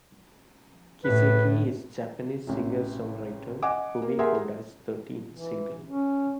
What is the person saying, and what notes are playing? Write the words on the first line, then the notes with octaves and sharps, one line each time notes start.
"Kiseki" is Japanese singer-songwriter Kumi Koda's thirteenth single.
A2 B4
A1 C3
D#5 F#5 G#5 D6
A#3
G4 G#4 A#4 E5 F#5 C6
E3
C#4